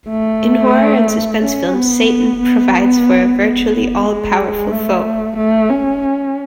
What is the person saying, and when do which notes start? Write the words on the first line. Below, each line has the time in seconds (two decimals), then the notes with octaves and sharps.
In horror and suspense films, Satan provides for a virtually all-powerful foe.
0.09 A3
1.41 C#4
1.74 B3
2.40 B3
3.39 B3
4.05 G#3
4.71 A3
5.37 A3
5.70 C#4